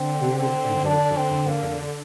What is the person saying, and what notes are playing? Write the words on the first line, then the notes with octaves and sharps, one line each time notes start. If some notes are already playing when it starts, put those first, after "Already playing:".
A woman enjoys some cotton candy.
Already playing: D3 C4
C4
D4
C4
A#3